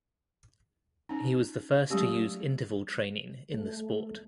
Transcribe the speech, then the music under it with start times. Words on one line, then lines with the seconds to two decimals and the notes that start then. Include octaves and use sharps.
He was the first to use interval training in the sport.
1.09 C#4 D#4
1.90 F#3 G#3 A3 C#4 G4
3.53 A3